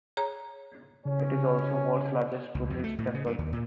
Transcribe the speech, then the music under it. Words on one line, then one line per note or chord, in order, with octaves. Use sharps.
It is also the world's largest Buddhist temple.
G#4 C#5 A#5
C2 C#3 C#4
C#2
F2
A3
A2
C#3
G2
D#2
A#2